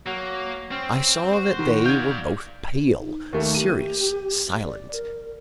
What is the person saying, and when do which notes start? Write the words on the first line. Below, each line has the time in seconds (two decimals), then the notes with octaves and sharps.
I saw that they were both pale, serious, silent.
0.06 F#3 A#3
0.71 C4 C#4
1.33 F#4 C5
1.59 D#3
1.86 D5 F5 G6 G#6
3.00 D#4
3.33 D#2 A3 A#3
3.55 G4 D#7
4.64 D5
4.92 A#4